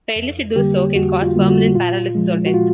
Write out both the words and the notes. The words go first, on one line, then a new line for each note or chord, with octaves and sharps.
Failure to do so can cause permanent paralysis or death.
F2
D3 G3 A#3 G4
F2 F#4
F4
D3 G3 A#3
F#4
A#2 F4
F3 G#3
F#4
A#2 F4